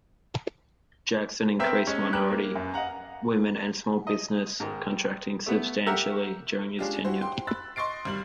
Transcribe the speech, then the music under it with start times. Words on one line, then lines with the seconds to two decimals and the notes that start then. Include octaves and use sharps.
Jackson increased minority, women and small business contracting substantially during his tenure.
1.59 B3 C4 A#4 C5 E5 G5
1.87 G#3 C#4
2.13 G4 A#4 B4 F#6
2.31 A#3
2.55 F#2
2.74 D#5 F5 F#5 A#5
4.07 D#5
4.60 G#2 D#3
5.46 A3 B3
5.86 G4 A#4 E5 F#5
6.79 G#3 C#4 D4 F4 G4
7.05 E4 F#4 G4 C5
7.21 G5 C6
7.47 B5 E6 F#6 A6
7.76 D#5 C6 C#6 A6 C7 D7
8.05 G#1 G3 F#7